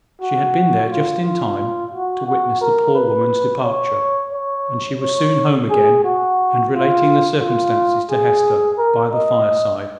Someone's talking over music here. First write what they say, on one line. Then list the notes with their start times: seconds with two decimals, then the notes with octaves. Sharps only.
She had been there just in time to witness the poor woman's departure; and she was soon home again and relating the circumstances to Hester, by the fireside.
0.22 F#4
0.90 F4
1.24 F4
1.93 F#4
2.27 F#4
2.61 A#4
2.95 B4
3.64 C#5
4.33 C#5
5.01 C#5
5.70 G#4
6.04 F#4
6.73 F4
7.41 F4
8.10 G#4
8.78 A#4
9.12 D#5